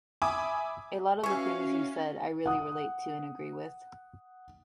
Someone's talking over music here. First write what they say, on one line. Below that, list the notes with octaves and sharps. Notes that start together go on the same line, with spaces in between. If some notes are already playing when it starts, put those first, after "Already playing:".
A lot of the things you said I really relate to and agree with.
E5 G#5 B5 D6 D#6
E3 C#4 F#4 F5 G#5 C#6
F#5 D#6